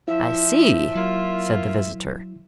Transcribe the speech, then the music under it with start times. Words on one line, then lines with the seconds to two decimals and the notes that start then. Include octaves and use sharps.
"I see," said the visitor.
0.08 F3 E4 E5
0.96 F#3 A#3 F4